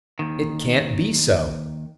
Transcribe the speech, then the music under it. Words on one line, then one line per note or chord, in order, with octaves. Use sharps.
It can't be so!
D#2 D#3